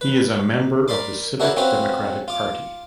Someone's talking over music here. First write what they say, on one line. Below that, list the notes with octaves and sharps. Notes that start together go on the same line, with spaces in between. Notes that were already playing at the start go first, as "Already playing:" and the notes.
He is a member of the Civic Democratic Party.
B4
A#4 D5 B5 C6 D6
D4 E4 F#4 A#4 B4 C#5
C4 C#4 F4 F#4 B4 C5
F4 D6